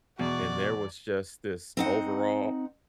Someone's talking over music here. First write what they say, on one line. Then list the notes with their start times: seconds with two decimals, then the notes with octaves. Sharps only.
and there was just this overall,
0.19 E2 B2 F#4 D5
1.77 C4 D#4 F#5